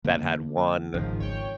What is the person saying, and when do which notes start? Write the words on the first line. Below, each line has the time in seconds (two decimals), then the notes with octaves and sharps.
that had one
0.04 D3 A#3
0.94 G1 C#2 G#2 D#3 F3
1.20 G#1 C#5 G5